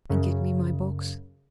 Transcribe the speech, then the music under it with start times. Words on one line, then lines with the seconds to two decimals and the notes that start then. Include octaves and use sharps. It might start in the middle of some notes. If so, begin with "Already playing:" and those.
"And get me my box?"
0.09 F#2 C#3